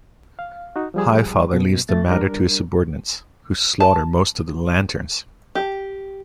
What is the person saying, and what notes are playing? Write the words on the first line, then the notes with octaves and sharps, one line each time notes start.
Highfather leaves the matter to his subordinates, who slaughter most of the Lanterns.
F5
D#4 F#4
F3 G3 G#4
F#2 B2
C2 F2 A3 A6
G3 D4 A#4
A5
G4